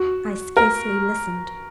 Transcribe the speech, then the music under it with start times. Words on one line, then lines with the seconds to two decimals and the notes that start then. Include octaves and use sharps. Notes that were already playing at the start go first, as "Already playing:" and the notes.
I scarcely listened.
Already playing: F#4
0.57 A#4